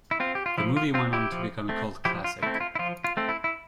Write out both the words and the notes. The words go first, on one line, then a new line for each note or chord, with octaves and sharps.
The movie went on to become a cult classic.
E4
C4 F4
G4
F4
F3 E4
F4
C4 F4
E4 G4
F3
A3 C4
F3 E4 G4
F4
A3 C4 E4
E4
F4
E4
F3 F4
F4
A3 C4
E4
E4